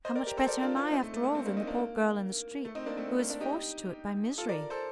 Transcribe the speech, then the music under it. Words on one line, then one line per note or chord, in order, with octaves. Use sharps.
How much better am I after all than the poor girl in the street, who is forced to it by misery?
C5 D#5
A#4 D5
G4 A#4
A4 C5
A#4 D5
D4 F4
D4 F4
C4 D#4
A3
A3
A#3
A3 C4
A#3 D4
C4 D#4
A#3 D4
A#3
A3
C4 D#4
A#3 D4
A3 C4
A#3
A#3
A#3 D4
D#4 G4
F4 A4
A#4 D5
A4 C5